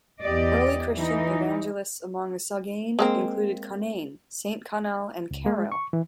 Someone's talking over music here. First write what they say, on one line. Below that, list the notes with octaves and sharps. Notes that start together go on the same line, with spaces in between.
Early Christian evangelists among the Soghain included Conainne, Saint Connell and Kerrill.
E2 G4 D5 D#5
E3 D#4
G#3 A#3 C4
C#2
G#3
C#6
E3